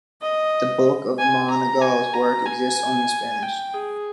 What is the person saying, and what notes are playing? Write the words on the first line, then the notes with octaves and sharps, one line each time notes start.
The bulk of Monegal's works exists only in Spanish.
D#5
G#5
A#5
G#5
A#5
G#5
G5
G#4